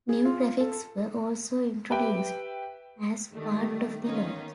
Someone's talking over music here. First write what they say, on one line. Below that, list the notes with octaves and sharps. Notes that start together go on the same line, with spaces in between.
New graphics were also introduced, as part of the launch.
G#4
F4
A4
G4 B4 E5 G5
D#3 G3 A3
D#3 A#3 B3 C#4 D#4 F4